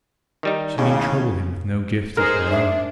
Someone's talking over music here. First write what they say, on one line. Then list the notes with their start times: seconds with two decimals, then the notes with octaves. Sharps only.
She need trouble him with no gift of her own.
0.43 D#3 G3 D#4
0.78 D#2 A2 C#3
2.17 D#4 G#4 A#4 C5
2.52 D4 E5